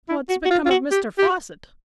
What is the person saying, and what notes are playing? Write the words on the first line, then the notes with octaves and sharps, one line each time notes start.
"What's become of Mr Fosset?"
E4
F#4
F#4
F4
F4
F#4
G4
G4